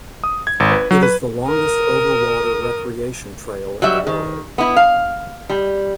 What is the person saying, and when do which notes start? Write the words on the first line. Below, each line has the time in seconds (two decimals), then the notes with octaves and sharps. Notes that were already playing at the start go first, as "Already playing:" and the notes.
It is the longest overwater recreation trail in the world.
0.24 D#6
0.47 G#6
0.60 G#1
0.72 B4
0.91 F#3
1.03 B4
1.47 A#4 D#6
3.82 F#3 G3 E5
4.07 D#3
4.58 B3 E4
4.76 F5
5.50 G3